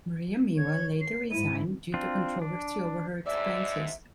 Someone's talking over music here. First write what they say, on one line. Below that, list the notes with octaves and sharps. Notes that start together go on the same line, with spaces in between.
Maria Miller later resigned due to controversy over her expenses.
C#5 G#6
C7
G#2 E4 D#7
C4 D4 F4
D4
D2 G#2 D5 E5 E6